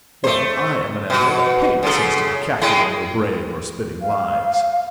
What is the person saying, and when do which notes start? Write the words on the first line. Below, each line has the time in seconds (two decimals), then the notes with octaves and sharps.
Well, I am an animal that paints instead of cackling, or braying, or spinning lies.
0.24 A3 C5
1.10 B2 F#4
1.83 F#2 C#3 A4
2.61 A2 G#3 E4
4.01 F5